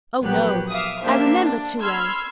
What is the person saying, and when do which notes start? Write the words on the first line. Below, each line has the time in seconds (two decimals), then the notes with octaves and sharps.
Oh, no! I remember too well.
0.23 A#1 F#3 B3 G4 F#6
0.70 E5 F5 D6 D#6
1.02 A#3 D4 G4 C5 E5 F5
1.41 D4
1.80 B5 C6 E6 F6 G#6